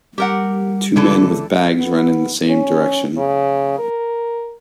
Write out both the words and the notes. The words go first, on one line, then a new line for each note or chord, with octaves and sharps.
Two men with bags run in the same direction.
G3 G4 A#4 F#5
C#2 D3 E3 A4
B3
C#4
C#3
A#4